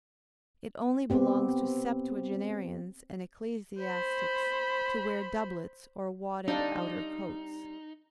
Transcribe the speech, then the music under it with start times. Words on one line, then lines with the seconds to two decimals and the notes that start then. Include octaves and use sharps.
It only belongs to septuagenarians and ecclesiastics to wear doublets or wadded outer coats.
1.10 B3 C4 G4
3.81 C5 B5
6.48 G3 C4 D4 D#4 F5